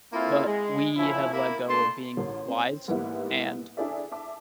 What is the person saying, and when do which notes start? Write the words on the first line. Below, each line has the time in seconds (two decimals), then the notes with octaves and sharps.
But we have let go of being wise. And
0.13 A#3 C4 E4 F4 A4
0.45 G#3
0.96 A#2 F3 C#4 E4
1.32 A#3 E4
1.68 A3 A#3 D4 A5 C6
2.17 A1 A#4
2.48 C4
2.88 G#2 E3 G3 A#3 B3 E4
3.77 D4 E4 G#4 A4 D5 E5
4.12 E5 A5 D6